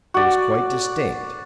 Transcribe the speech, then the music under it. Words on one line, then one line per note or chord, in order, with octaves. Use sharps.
It was quite distinct.
F#4 D5